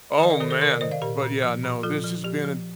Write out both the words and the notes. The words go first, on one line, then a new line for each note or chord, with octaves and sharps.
Oh, man. But yeah, no this has been
D#3 D#5
A#4 D5
D#3 A4 C5
A4 C5
C3 A#4 D5
A#4 D5
D#3 C5 D#5
D5 F5
A#2 G4 A#4
A#2
F3
A#2
F3 F4 A4
F3
F3 G4
F3